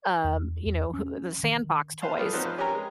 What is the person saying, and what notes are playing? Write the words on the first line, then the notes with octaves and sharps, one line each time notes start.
um, you know, who the sandbox toys,
E2
E2
C#4
D#3
B4 C5 F5 A5
G3 A3 F4 G#4 B4
F3 F#3 B3 C4 D#4 C5
F3 B4
C#4 G4 A#4 G5 G#5 A#5
G#3